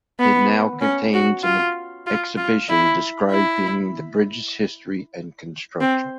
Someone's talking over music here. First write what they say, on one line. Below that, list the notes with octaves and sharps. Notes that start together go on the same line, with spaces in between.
It now contains an exhibition describing the bridge's history and construction.
B3
C#4
F#4
F4
F4
F4
E4
E4
C4